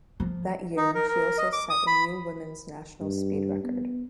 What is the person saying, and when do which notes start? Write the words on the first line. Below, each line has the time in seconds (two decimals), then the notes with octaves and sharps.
That year, she also set a new women's national speed record.
0.20 F3
0.77 D#4
0.95 A#4
1.08 A#4
1.38 D#5
1.53 D6
1.70 D#6
1.87 B5
3.01 G2
3.64 B3